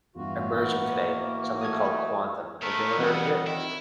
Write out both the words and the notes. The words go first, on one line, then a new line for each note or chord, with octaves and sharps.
emerging today, something called quantum. Have you ever heard of it?
E2 G2 E3 F4 F#4
A1 A#3 B3
A3 D#6 G#6
D#3 A3 B3 A#4 E5
E3 G3 C4 F4 D#5 F#5
D#3 E4